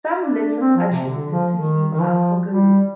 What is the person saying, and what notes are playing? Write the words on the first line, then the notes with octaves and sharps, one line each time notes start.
Some letters attributed to him are forgeries.
D4
C4
F3
C3
D3
F3
D#3
D#3
F3
G3